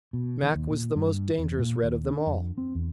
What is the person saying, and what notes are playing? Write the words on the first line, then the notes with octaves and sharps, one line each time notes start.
"Mac" was the most dangerous Red of them all!
B2
D#3
D#2
A#2
G2
E2
A#2
D#2
D4
F2
C4
E2